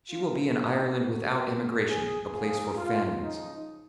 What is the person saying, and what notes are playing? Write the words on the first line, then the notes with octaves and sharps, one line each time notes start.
She will be an Ireland without emigration, a place for famines.
F4
C3 F3 D#4
F#4
C#3 F#3
G#4
A#2 F3 G#4
F4
C#3 F3 D#4